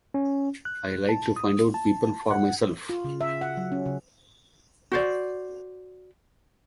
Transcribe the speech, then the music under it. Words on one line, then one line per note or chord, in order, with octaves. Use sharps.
I like to find out people for myself.
C#4
F#6
A5
D#6
A5
F#5
F4
C#3
E5
F#5
F#3
C#4
C#3
F#4 C5 D5